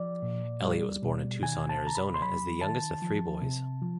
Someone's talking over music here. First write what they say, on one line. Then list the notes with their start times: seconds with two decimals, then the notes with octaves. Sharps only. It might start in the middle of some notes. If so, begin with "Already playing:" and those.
Elliott was born in Tucson, Arizona as the youngest of three boys.
Already playing: F3 D5
0.22 A#2
0.62 G3
1.02 B2
1.42 D#3 G#5
1.69 A5
1.82 C3
1.87 A#5
1.95 B5
2.14 C6
2.22 F#3 B5
2.61 D#3 A5
3.02 F3
3.42 C3
3.82 F3